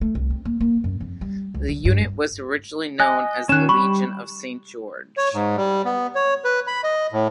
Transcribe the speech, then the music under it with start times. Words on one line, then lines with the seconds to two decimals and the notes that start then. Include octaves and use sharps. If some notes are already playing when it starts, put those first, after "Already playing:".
The unit was originally known as the Legion of Saint George.
0.01 A3
0.15 C2
0.30 C4
0.45 A#3
0.60 A#3
0.84 F#2
1.00 F2
1.21 G3
1.54 C#2
1.69 D3
1.85 G2
3.00 D#5 G#5 F#6
3.49 D#3 C#4 F#6 E7
3.69 G3 B5 C#6
5.17 C#5
5.34 G#2
5.57 G3
5.85 B3
6.15 C#5
6.45 B4
6.67 B5
6.84 D#5
7.13 A2